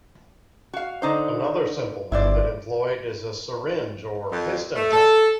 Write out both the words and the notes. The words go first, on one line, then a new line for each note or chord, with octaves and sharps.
Another simple method employed is a syringe or piston type.
F#4 F5
D3 D#4 C5
G1 E4 C5 D5
F2
A3
A4